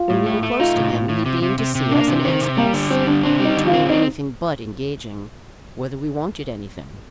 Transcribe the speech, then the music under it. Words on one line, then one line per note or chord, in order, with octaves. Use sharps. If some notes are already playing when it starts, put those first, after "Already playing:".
When we were close to him, he deigned to see us and asked us, in a tone anything but engaging, whether we wanted anything.
Already playing: F4
A2
A3
A3
D#4 F4
A2
A2
A2
C3
C3
C3
C3
A#3 D4
C3
D#3 C4
C3
G3 A#3
D3
G3 C4
D3 D4
C4 D4
G3 D#4
D3
F4
C4
D4 D#4